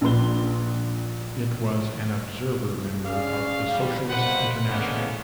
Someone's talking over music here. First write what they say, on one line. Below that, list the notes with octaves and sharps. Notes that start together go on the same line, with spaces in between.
It was an observer member of the Socialist International.
A#1 A#2 B4 C6 G7
C#4 G#4 D5 F5
E2 G3
C2 B2 A#3 B4 C5 F#5
D3 E3 G#3 A#3 B3 C#4